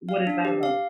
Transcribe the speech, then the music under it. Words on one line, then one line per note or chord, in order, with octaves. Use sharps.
What is that about?
F5
D4
G4
F5